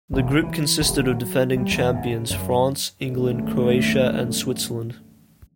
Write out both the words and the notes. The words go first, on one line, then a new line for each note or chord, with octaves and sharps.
The group consisted of defending champions France, England, Croatia and Switzerland.
E1
C#3
E3
D#1
F#3
G3
E2
G#2
C#3
F#2
G#1 E2 D3 F#3 A3 C#4